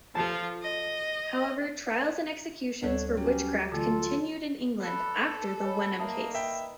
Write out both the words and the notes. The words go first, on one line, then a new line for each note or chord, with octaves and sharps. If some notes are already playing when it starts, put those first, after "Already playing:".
However, trials and executions for witchcraft continued in England after the Wenham case.
F3 F4 A4 A5
D#5
D2 G3 D4 A4 C#5
F#3 C#4 G4
D3 E3 A3 F4 A4
A4 B4 D5
B4 C#5 D#5 G#5
A#3 D#4 E5 A5 D#6
E5 G5 B5